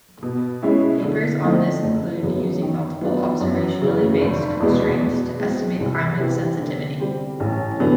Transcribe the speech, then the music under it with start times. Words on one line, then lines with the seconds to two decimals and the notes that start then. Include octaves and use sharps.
Papers on this include "Using multiple observationally-based constraints to estimate climate sensitivity".
0.23 B2
0.62 G#3 C#4 E4
1.02 D3
1.42 F3 A3 C4 D#4
1.82 F#1
2.22 F#2 C#3 F#3 B3
2.62 D#3
3.01 F#3 B3 D4 F4
3.41 F#2
3.81 C#3 E3
4.21 F1
4.60 E2 B2 G#3 B3
5.01 B2
5.40 G#3 C4
5.80 C2
6.19 C3 E3
6.60 D3
7.00 G3 C4
7.40 A1
7.80 D3 F#3 B3